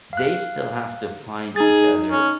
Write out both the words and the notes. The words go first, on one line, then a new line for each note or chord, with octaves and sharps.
they still have to find each other
F5 F#6
D#4 G#4 A6
C#4